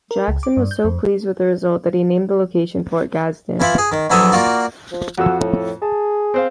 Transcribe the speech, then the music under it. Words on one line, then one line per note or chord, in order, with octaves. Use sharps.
Jackson was so pleased with the result that he named the location Fort Gadsden.
A#4
C#2
D6
G2
G6
F2
E3 E4 F4 B5
G#4
D#3
A#1 E3 F#3 A4 E5 D#6
A#3 F4 F#4 D5
F3
F2 F#4 A4 E6
A2
G#4 A5
C4 C5 F5